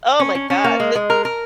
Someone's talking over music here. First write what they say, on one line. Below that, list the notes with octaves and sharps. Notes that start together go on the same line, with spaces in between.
Oh my gosh, and
C#4
C#4
C#4
A#3
G#3
G#3
A#4
A#4